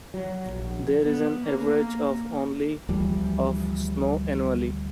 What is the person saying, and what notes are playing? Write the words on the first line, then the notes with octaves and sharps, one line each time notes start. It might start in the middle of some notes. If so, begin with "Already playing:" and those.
There is an average of only of snow annually.
F#3
A#1
B3
A#3
D2 E3 F3 G3